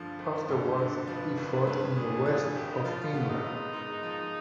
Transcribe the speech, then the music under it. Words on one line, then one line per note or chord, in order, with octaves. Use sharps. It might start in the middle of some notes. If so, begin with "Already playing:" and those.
Afterwards he fought in the west of England.
Already playing: G2 D3 F3
G#1 C5
G2
D3
F3 B4
G#1
B4
G2
D3 G#4
F3 G#4
G#1 G4
D#4
F3 F4
B3
D#4
G#2
G#2
F3